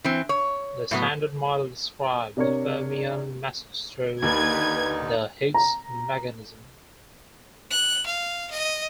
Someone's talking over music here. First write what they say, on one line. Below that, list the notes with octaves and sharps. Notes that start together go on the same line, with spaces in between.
The Standard Model describes fermion masses through the Higgs mechanism.
E3 C4
C#5
A2 F#3 B3
C3 D4 A#4 C#5
D#2 D3 D#4 B4 G#6
A#5
F#6
F5
D#5